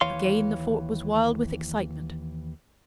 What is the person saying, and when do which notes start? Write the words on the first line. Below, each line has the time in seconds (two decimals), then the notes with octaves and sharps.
Again the fort was wild with excitement.
0.01 D#2 E3 C#5 F5 C6